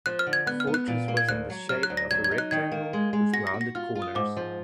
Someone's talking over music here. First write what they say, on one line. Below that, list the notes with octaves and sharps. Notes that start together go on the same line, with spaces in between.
The fortress was in the shape of a rectangle with rounded corners.
F3 F#6
F6
D3
G#6
B3 F#6
F6
B3
F#6
A#2
A#3
G#6
D2 F#6
F#3
F#3 F6
F#6
D2
A#6
F#3 G#6
G#6
D#4
F#6
D#3 G#6
A#3
G#3
G#3
F#4 A#6
A#6
F#4
A#6
F4 F6
F4
D#6
G#2 D6
F3